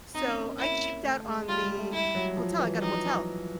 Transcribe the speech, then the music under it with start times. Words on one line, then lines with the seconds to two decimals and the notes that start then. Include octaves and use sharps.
So I cheaped out on the hotel. I got a motel
0.15 C4 D#4
0.26 C#4
0.48 A#3
0.59 E4
1.04 A3
1.26 G#3
1.48 G3 F4
1.64 G#3
1.78 A3
1.93 G3 E4
2.15 F#3
2.37 F3
2.59 E3
2.81 D#4